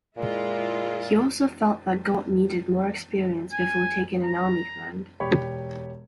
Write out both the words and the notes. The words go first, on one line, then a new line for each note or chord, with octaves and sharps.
He also felt that Gott needed more experience before taking an army command.
A#2 G#3 E4 F4
G#5
A#5
E1 G4 C#5 B5